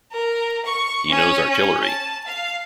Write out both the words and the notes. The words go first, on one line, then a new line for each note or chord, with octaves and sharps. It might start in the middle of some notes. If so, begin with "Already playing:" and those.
He knows artillery!
A#4
C#6
C#4
C#4
A5
F5